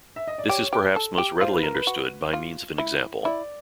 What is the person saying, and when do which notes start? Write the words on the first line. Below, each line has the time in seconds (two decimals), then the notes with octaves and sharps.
This is perhaps most readily understood by means of an example.
0.16 E5
0.27 D#5
0.38 D5
0.49 G4 C#5
0.73 G4
0.96 A4
1.18 G4
1.41 F4 C5
1.53 B4
1.63 A#4
1.74 B4
1.87 F#4
2.33 F4
2.78 E4
3.24 E4 D5